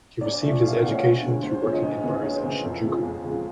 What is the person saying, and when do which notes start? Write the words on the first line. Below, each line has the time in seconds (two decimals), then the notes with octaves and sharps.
He received his education through working in bars in Shinjuku.
0.21 D2 D5
0.41 C#3 F3 A3 E5
0.62 D2 F5
0.72 F5
0.82 C#3 F3 A3 F#5
0.92 C#5
1.02 D2
1.22 D3 F3 G#3
1.42 D2 C5
1.53 C5
1.62 D3 F3 G#3 C#5
1.73 D#5
1.83 D2
2.03 C#3 E3
2.22 D2 C#5
2.36 C5
2.43 C#3 E3
2.63 F2 A4
2.83 C#3 F3 G#3
3.03 F2 G#4
3.24 C#3 F3 G#3